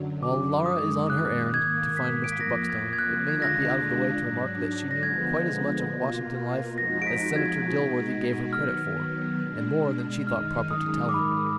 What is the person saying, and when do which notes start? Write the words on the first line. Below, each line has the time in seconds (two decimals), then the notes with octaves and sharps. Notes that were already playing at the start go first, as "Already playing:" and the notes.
While Laura is on her errand to find Mr. Buckstone, it may not be out of the way to remark that she knew quite as much of Washington life as Senator Dilworthy gave her credit for, and more than she thought proper to tell him.
Already playing: F#2 D3 F#3
0.23 D6
0.66 F#2 D#3 G#3 D#6
1.10 F#6
1.53 G#2 D#3 A#3 G#6
1.97 B6
2.24 D7
2.32 B6
2.40 F2 F3 A#3 A#6
2.70 G#6
2.93 G#6
2.99 F#6
3.28 D#2 D3 G#3 D4 F4 G#6
3.42 A#6
3.56 G#6
4.16 G#2 F#3 D4
4.91 A#6
5.03 D3 F3 G#3 B3 G#6
5.90 B2 A#3 F4
6.77 F2 F3 G#3 D#4 F#4 A#6
7.02 D7
7.07 B6
7.36 G#6
7.65 B2 G#3 D#4 F#4
8.53 D#3 F#3 B3 F6
9.40 B2 G#3 D4
10.27 F#2 D#3 G#3 D#4 F6
10.71 D#6
11.09 D6
11.14 G#2 D#3 G#3 B5